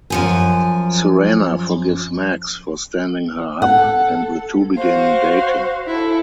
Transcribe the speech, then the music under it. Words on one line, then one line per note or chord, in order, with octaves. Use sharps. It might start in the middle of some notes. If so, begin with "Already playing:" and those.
Serena forgives Max for standing her up, and the two begin dating.
F#2 F3 G#5
A4 F#5
F#4 C5 F5
E4 A4